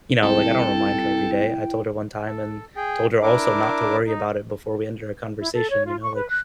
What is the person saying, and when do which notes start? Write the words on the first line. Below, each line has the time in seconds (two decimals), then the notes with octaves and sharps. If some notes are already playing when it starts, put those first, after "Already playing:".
you know, like, I don't remind her every day. I told her one time and told her also not to worry about it before we ended our conversation, you know, like
0.23 C2 E4 A4 G5
2.26 A4
2.76 G#4 G5
3.22 D4 E4 A#4 D6
4.07 D#4
5.39 E4
5.53 A4
5.70 C#5
5.85 F4
6.01 C#6
6.14 B4
6.30 F#6